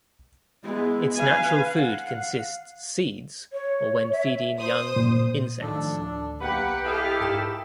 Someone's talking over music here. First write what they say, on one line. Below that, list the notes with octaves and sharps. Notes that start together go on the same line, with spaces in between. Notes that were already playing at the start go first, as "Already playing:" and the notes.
Its natural food consists seeds, or when feeding young, insects.
G#3 B3 E4
B4 F5 G#5
F5 F#5
C#5
E5
C5 D#6
A#2
A2 D#3 F3 D4 A4
D2 D4
B1 B2 A#3 G4 B4 F#5
E4 A4 D#5 F5
G#2 A#4 E7